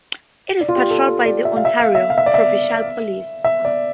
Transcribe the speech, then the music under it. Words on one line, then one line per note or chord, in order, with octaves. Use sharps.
It is patrolled by the Ontario Provincial Police.
D5
F4
G4
A4
D5
E5
F5
E5
F5
E5
F5
E5
D5
E5
E5
D5